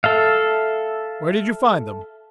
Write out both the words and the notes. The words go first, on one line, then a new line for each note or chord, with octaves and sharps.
"Where did you find them?"
A4 E5 F5